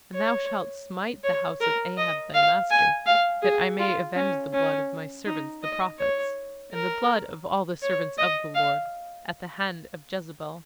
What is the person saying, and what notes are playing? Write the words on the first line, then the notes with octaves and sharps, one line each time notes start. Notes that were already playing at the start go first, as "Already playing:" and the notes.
And thou shalt smite the house of Ahab thy master, that I may avenge the blood of my servants the prophets, and the blood of all the servants of the Lord, at the hand of Jezebel....
C#5
C#5
A#4
D#5
F5
G#5
F5
G#4
F4
C#4
C#4
D#4
D#5
C#5
A#4
C#5
D#5
F5